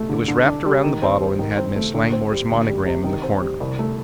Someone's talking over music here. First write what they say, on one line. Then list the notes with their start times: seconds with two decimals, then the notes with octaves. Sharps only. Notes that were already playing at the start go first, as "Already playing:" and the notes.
It was wrapped around the bottle and had Miss Langmore's monogram in the corner.
Already playing: A3
0.09 D3
0.28 D3
0.46 D4
0.65 G3
0.83 D#3
1.02 C4
1.20 G3
1.39 D#3
1.57 C4
1.76 A3
1.94 D3
2.12 C4
2.31 G3
2.50 D2
2.68 G3
2.86 C3
3.04 D#3
3.23 C4
3.42 G3
3.60 C2
3.79 A3